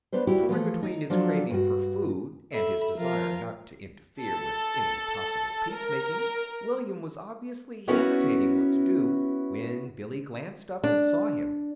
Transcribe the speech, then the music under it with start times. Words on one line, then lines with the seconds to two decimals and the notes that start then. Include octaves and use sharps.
Torn between his craving for food and his desire not to interfere with any possible peace-making, William was obviously hesitating what to do, when Billy glanced up and saw him.
0.12 B3 D4 B4 C5
0.27 G3 E4 F#4 G4
0.49 E3 F3 A3
0.82 D#4
1.10 F3 F#3 D4 F4 A4
1.50 G2 F#4
2.53 A4 E5 B5
2.98 F3 F4 A#4
4.22 A4
5.76 A#4
7.88 B3 C#4 E4 F#4 A#4 B4
10.84 D4